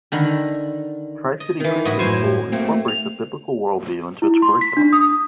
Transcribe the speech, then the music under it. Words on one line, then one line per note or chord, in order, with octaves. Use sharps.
Tri-City Christian School incorporates a biblical worldview into its curriculum.
D3 D#3 B5
D#5
D#3 E3
A2 E4 F#4 D#5
F#2 A2 C5 G#5
A3 A#3 C4
F7
E4
C6
B6
D4
D#6